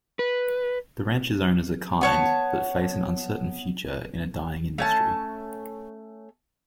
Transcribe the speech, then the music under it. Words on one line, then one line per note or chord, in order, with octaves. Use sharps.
The ranch's owners are kind but face an uncertain future in a dying industry.
B4
B3 C#5 A5
A3 C#4 A5